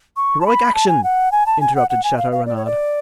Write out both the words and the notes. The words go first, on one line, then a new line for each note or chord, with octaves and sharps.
"Heroic action," interrupted Chateau-Renaud.
C#6
A5
B5
A5
G#5
F#5
G#5
A5
G#5
F#5
F#5
G#5
F5
F5
D5
C#5
D5